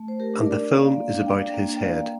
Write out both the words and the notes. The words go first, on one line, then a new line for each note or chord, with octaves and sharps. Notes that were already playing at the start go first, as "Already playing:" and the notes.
And the film is about his head.
Already playing: A3
C5
G4 A#4
D4
A#4 D5
A#3 D5 F5
D4 F5
G5
D5 F5
A#3
G5
D5 F5
A#3